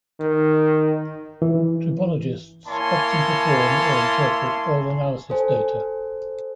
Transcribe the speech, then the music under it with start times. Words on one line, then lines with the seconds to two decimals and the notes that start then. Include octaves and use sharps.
Tribologists often perform or interpret oil analysis data.
0.20 D#3
1.42 E3
2.67 A#3 E4 C#5 G#5 A5 C6
5.30 A4 C5 G#5